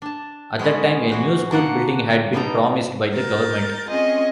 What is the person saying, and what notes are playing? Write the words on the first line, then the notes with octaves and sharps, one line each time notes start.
At that time, a new school building had been promised by the Government.
D4 A5
G#3 B3 C#4 G#4 B4
E3 F#4 C5
D3 A#3 A4 F#5
D3 G3 B3 D#4 A4 A#5
A#4 G6 A6
C4 C#4 F4 G#4 D#5